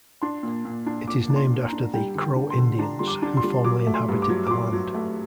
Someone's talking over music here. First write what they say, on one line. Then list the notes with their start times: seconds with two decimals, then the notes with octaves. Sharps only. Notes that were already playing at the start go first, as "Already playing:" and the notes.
It is named after the Crow Indians who formerly inhabited the land.
0.22 D4 C6
0.43 A#2
0.65 A#2
0.86 D4
1.08 A#2 D6
1.29 D4
1.36 C6
1.51 A#2
1.65 A#5
1.73 D4
1.94 G3 G5
2.15 D3
2.22 G5
2.36 D4
2.50 C6
2.58 D3
2.79 D4 A#5
2.99 G3 C6
3.07 D6
3.22 D4
3.37 C6
3.44 G3
3.65 F#3 D6
3.87 A3
3.94 C6
4.09 G2
4.22 D6
4.29 F#3
4.47 D6
4.50 F#3 C6
4.73 F#3
4.94 A3